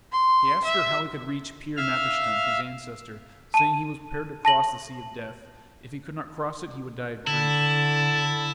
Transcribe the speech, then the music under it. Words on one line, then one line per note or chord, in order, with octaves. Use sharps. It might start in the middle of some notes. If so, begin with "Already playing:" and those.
He asked her how he could reach Pir-napishtim, his ancestor, saying he was prepared to cross the Sea of Death: if he could not cross it he would die of grief.
C6
E5
E5 F5 F6
A5 D#7
A5 A#6 F#7
D3 E4 A5